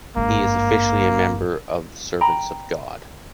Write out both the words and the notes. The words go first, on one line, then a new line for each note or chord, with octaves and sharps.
He is officially a member of the Servants of God.
G#1 G2 A#3
G5 A#5 B5